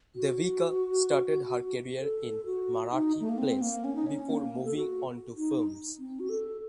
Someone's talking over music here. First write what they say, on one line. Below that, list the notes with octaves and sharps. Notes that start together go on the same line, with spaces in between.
Devika started her career in Marathi plays before moving on to films.
F#4
A4
F#4
D#4
A3
A#3
C4
A#3
C#4
D#4
C#4
A#3
A4
F#4
D#4
C4
F#4
A4